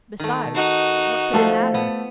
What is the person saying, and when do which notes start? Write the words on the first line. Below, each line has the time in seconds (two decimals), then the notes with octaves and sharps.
Besides, what could it matter?
0.19 D#3 A3
0.55 D#4 F#4
1.34 F3 A3 A4 C6
1.74 B3